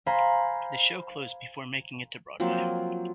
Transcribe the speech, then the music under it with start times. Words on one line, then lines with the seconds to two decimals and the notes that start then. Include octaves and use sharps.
The show closed before making it to Broadway.
0.06 C5 F5 G#5 A#5 B5
2.40 F3 F#3 A#3 C4